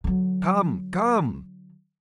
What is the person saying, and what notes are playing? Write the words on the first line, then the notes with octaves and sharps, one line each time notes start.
"Come, come!"
D3 F#3